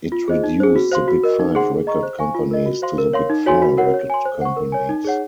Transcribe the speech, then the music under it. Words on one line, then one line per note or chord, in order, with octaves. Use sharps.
It reduced the Big Five record companies to the Big Four record companies.
F4
G#4 C5 D#5
D#4
G#4 C5
F#4
C5 F5 C6
F#4
A#4 D#5
D#4
G#4 C5 F#5 C6
G#4
D#5 A#5 C#6
C5
F5 G#5 C#6
F4
A#4 D#5
F#4
C5 F5 C6
A#4
C#5 F5 C6
D#4
F#4 C#5 G#5 C6
F#4
A#4 C#5 F#5
C#5
G#5 C6
C5
F#5 C#6
A#4
C#5 G#5
D#4
G#4 C#5 F#5